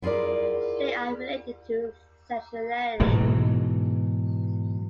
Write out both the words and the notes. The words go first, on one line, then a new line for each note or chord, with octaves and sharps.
They are related to sexuality.
E4 F4 G#4 A#4 D5
G#2 B2 E3 F#3